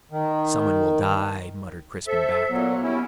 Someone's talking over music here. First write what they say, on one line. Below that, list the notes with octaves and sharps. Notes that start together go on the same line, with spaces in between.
"Someone will die," muttered Crispin back.
D#3
A4 C5 E5
A#2 F#3 B3
G3 C#4 E4